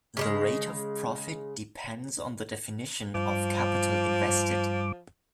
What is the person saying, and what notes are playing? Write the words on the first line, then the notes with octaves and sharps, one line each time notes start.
The rate of profit depends on the definition of "capital invested".
C#3 G3 G#3
G2 F3 D6